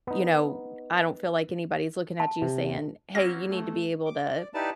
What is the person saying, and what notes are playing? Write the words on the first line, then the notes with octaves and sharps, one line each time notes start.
you know, I don't feel like anybody's looking at you saying, "Hey, you need to be able to,"
B3 D#4
A5
C3
A#3 C4 C#4 F#4 A#6
A3
D6
D5
D5
D#4 E4 G4 B4 D5 A5